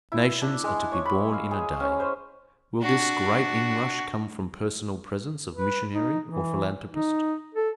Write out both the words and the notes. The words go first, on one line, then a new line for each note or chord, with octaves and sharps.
"Nations are to be born in a day." Will this great inrush come from personal presence of missionary or philanthropist?
E4
D4
G#3
C#5
B5
F5
G#4
C#4
C5
D4 F#4
B4
D#4
E3
D#4
A4